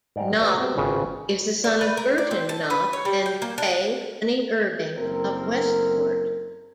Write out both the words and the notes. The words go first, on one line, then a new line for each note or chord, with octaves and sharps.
Knopp is the son of Burton Knopp and Fay Honey Irving of Westport.
G#2 D5 G5 A#5
B4 D5 F#5 A#5
B3 C4 F#4 G4 C5
G#1 C#3 F4 B4 C5 G5
D4
B4
A#4
D5
C4
A5
B4
C#5
G3
G5
A#3
D4
F#1 C4 A4 A#4